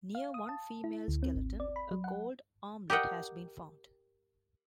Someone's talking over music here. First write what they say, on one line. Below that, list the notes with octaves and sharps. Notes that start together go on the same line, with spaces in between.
Near one female skeleton, a gold armlet has been found.
F5
D#6
A5
E4
D2
C4
G#1
D5
B5
F#3
F#5
G4 A#4 D#5 F#5 G5